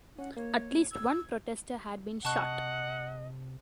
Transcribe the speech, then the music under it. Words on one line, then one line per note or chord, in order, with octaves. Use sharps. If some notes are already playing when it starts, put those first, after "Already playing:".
At least one protester had been shot.
C#4 F#5
A#3 C#5
E6 G#6
C3 D#5 F#5 A5 C#6 F#6